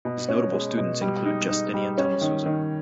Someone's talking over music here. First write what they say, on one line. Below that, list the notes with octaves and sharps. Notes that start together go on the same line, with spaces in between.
His notable students include Justinian Tamusuza.
B2
C#4
G#3
B2
G3
D#4
D#4
G3
C#4
D#3
D#3